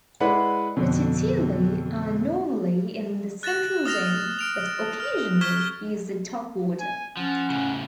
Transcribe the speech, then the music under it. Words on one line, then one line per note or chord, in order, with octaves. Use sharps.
The "tituli" are normally in the central zone but occasionally use the top border.
G#3 E4 B4 D5 E5 F#5
F2 B2 D3
F#6 A6 A#6 E7 F#7
D#6 F6 A#6 F7
F6 D7 F7
F6
C#6 F6 G#6 B6 E7 G7
G#5
F3 C#4 F#5
A2 C#3